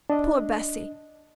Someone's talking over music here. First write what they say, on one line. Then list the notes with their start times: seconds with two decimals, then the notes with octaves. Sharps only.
'Poor Bessy!
0.10 D4 D#5